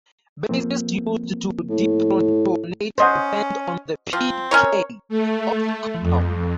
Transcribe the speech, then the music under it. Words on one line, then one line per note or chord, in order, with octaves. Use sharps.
Bases used to deprotonate depend on the p"K" of the compound.
F3 A#3 C4
A2
C#4 C5 D#5 F#5
F3 C4
C#4 A#4 C#5
A3
F2